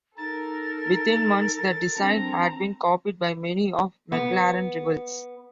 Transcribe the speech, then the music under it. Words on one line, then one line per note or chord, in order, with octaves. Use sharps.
Within months the design had been copied by many of McLaren's rivals.
D#4 A4 A#4 A6
C4 D4 A#5
B3